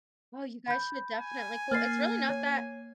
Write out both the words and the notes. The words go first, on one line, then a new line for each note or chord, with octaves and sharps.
Well, you guys should definitely cool it's really not that
B5 G6
G#5
A#3 F6 A6 C7
C#5